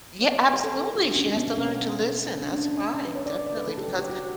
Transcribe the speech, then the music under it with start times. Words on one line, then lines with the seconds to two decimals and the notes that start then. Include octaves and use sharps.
Yeah, absolutely, she has to learn to listen, that's right, definitely. Because
0.22 C#5
0.32 D3 D5
0.42 B4
0.53 D3 G4
0.64 A4
0.74 G3
0.95 D3 F#4
1.05 D4
1.16 B2 C#4
1.27 C#4
1.37 B2 B3
1.48 B3
1.58 B2 C#4
1.79 G3
2.00 F#3
2.21 F#3
2.41 A3 D4
2.49 C#4
2.56 D4
2.63 B2
2.70 C#4
2.84 G3 D4
2.94 C#4
3.05 G3 B4
3.15 C#5
3.26 G3 D5
3.36 D5
3.47 C#3 D5
3.57 B4
3.67 A3 A4
3.78 G4
3.88 F#3
3.99 G4
4.10 F#3 F#4